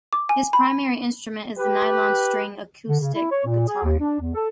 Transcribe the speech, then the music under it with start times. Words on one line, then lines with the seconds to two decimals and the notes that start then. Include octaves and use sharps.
His primary instrument is the nylon-string acoustic guitar.
0.13 D6
0.29 G#5
0.53 B5
1.59 G4 B4
2.88 D3
3.00 C#3
3.14 E4
3.30 C#5
3.45 A#2
3.67 G#4
3.84 D#2
4.00 D4
4.20 E2
4.34 A4